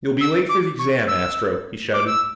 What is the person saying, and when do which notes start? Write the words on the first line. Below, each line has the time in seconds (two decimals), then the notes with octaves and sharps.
"You'll be late for the exam, Astro!" he shouted.
0.21 E6
0.49 D6
0.79 C#6
1.08 E6
1.94 D6
2.07 E6